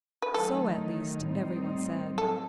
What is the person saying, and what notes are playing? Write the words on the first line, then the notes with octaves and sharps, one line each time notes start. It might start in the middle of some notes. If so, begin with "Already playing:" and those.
So, at least, every one said.
B4
D#3 F#3 A3 D#4 A4
A2 G3 C4 D#4
F#3 A4